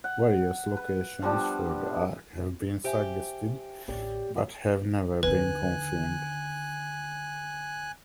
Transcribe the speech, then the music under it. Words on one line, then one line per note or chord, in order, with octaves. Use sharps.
Various locations for the ark have been suggested but have never been confirmed.
F#5
B4
F3 G3 B3 D4
G4 C5 E5 G#5
A1 D2 G4 C#5 D5
D#2 D3 B4 G#5 F#6